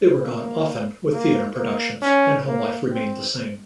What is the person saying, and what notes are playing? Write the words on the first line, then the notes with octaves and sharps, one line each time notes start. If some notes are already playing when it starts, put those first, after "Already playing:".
They were gone often with theater productions and home life remained the same.
A#3
A#3
A#3
C#4
A#3
C4